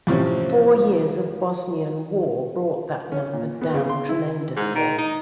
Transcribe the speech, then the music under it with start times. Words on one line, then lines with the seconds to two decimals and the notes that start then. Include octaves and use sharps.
Four years of Bosnian War brought that number down tremendously.
0.07 F2 A2 C3 C4 C#4
3.12 C#4
3.33 A#2
3.62 B3
3.74 C#3
3.89 C6
4.09 E4
4.56 G#2
4.75 D#3
4.98 D#4